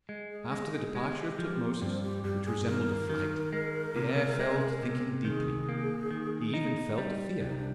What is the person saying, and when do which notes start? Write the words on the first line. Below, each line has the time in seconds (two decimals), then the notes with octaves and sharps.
After the departure of Tutmosis, which resembled a flight, the heir fell to thinking deeply; he even felt fear.
0.09 G#3
0.31 G#4
0.51 G#3 G#4
0.63 G4
0.73 G#4
0.95 G#3 G4
1.39 F3
1.80 G2 C4
2.03 G4
2.23 G2 G4
2.46 G#4
2.67 D#3 A#4
3.10 D#3
3.53 G#3
3.96 C3
4.40 G#3
4.83 C3
5.25 D#3 G#4
5.69 A#3
6.11 D#3
6.54 D#4
6.98 G3
7.40 C2 F4
7.49 D#4
7.58 D4